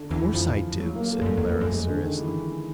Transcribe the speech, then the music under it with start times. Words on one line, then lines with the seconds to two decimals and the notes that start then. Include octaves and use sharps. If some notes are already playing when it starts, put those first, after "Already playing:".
"Of course I do," said Clara seriously.
Already playing: D3
0.11 E2 E3
0.34 F2 F3
0.80 F#3
0.95 A#3
1.11 A3
1.21 F#2
1.26 G2 A3
1.37 E2
1.41 A3
1.49 F2
1.57 F#2 A3
1.72 F2 G#3
1.88 D3
2.03 D#3
2.18 E3